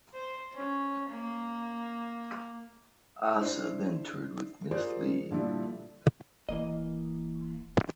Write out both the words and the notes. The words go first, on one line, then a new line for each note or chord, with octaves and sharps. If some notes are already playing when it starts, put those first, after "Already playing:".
Aasa then toured with Miss Li.
C5
C#4
A#3
D4 E4 C5
F4 G4 G#4 A#4 C5 D5
A#2 D3 F3 G3 D4 E4
D1 E3 A#3 D#5